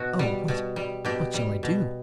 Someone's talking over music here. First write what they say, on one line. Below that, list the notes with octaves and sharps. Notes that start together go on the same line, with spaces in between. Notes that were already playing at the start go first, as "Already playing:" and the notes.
Oh, what!--what shall I do?
Already playing: B2 F#4
G3
B2
G3
B2 G4
G3
B2